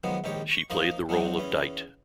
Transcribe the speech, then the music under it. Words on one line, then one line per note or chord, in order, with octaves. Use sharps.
She played the role of Dite.
D#3 F3 F#3 G#3 B3
A#1 G#2 D#3 G4 C#5
C#6
F3 A#3 D#4 F4
F#3 G#3 C4 D4 D#4
E2 E3 C#4